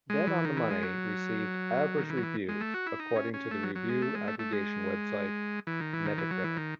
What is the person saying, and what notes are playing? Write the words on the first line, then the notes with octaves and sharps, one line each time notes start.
"Dead on the Money" received "average" reviews according to the review aggregation website Metacritic.
G#3
E3
D#3
E3
G#3
F#3
D#3
E3
F#3
E3
G#3
A3
F#4
E4
D#4
C#4
C#4
A3
F#3
F#3
G#3
A3
G#3
A3
A3
G#3
E3
D#3
E3
D#3
E3
F#3
E3
D#3